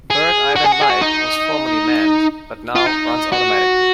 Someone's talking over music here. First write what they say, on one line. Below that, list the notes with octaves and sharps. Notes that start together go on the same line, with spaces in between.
Bird Island Light was formerly manned but now runs automatically.
G#4
F#4
G#4
F#4
G#4
F#4
D#4
F4
D#4
F#4